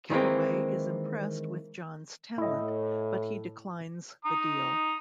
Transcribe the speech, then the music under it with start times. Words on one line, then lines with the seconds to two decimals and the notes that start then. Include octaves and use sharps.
Calloway is impressed with John's talent, but he declines the deal.
0.10 D#3 E3 G#3 A#3 C4
2.38 A2 E4 D#5
4.25 A#5 D#6